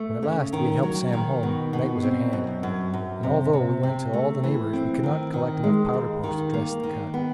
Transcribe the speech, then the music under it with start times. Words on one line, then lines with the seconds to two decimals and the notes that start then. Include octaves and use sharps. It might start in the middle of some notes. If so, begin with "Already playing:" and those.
When at last we had helped Sam home, night was at hand; and although we went to all the neighbors, we could not collect enough powder-post to dress the cut.
Already playing: A3
0.23 C#3
0.53 D#3
0.83 F#3
1.13 D#3
1.43 B2
1.73 B2
2.03 C4
2.33 F#2
2.63 F#2
2.94 F#2
3.23 C3
3.53 C3
3.83 C3
4.13 A3
4.43 E3
4.73 C4
5.03 D#3
5.33 D#3
5.63 G#3
5.94 D#2
6.24 D#3
6.54 A#3
6.83 D#3
7.14 B3